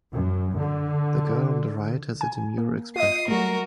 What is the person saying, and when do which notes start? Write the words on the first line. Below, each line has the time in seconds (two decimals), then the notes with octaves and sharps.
The girl on the right has a demure expression.
0.14 F#2
0.59 D3
2.21 G#5
2.58 A#3
2.96 F4 D#5 D#6 C7
3.28 F#3 G3 A3 F#4 A#4